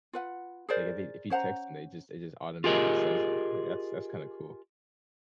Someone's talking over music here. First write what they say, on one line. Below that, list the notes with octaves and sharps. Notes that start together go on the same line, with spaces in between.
like, if they if you text them, they just it just automatically sends it, like, that's that's kinda cool,
F4 B4 F#5
G#4 A#4 C5 D5
C#4 C5 F#5 A#5
F4 G4 G#4 A#4 D#5